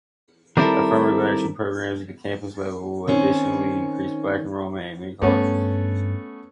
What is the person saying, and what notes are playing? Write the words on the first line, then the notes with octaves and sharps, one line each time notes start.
Affirmative action programs at the campus level additionally increased Black enrollment at many colleges.
D#3 G3 C4 E4 A4 A#4
D#3 C4 C#4
G2 A3 B3 C#4